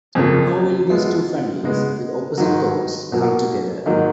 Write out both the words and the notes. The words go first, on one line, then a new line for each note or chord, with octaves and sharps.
How will these two families with opposite thoughts come together?
F2 C#3 F3 A#3 F4
F#2 F3 G#3 B3 F4
C#3 G#3 B3
G#2 D#3 F#3
B2 F#3 A#3
G#2 D#3 F#3 A#3 D#4